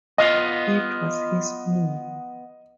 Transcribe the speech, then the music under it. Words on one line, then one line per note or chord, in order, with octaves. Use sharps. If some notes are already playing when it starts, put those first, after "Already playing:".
It was his move.
B3 F4 D#5 F5